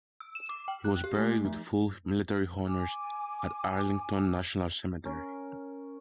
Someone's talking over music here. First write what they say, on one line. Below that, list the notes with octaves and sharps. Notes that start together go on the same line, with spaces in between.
He was buried with full military honors at Arlington National Cemetery.
E6
E7
D6
G5
F#6
G4
A3
F3
G#5 D6
C#4 A#4